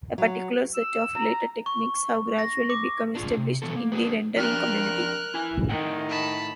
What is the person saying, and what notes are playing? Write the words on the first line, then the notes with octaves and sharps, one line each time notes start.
A particular set of related techniques have gradually become established in the rendering community.
F#3
E6
A#5
C#6
A#6
D6
D4 F4 G4 G#4
C3
B2 E3 F#3 B3 F#4 A4
A#3
D4 F#4 G#4 B4
F2 D4 G4 A#4 F6 F#6
E4 G#5
A2 D#3 F#5 G5
A5 B5